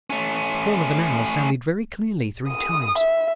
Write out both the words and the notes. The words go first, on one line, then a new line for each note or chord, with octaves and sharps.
The call of an owl sounded very clearly three times.
A3 C#4
D#6
E5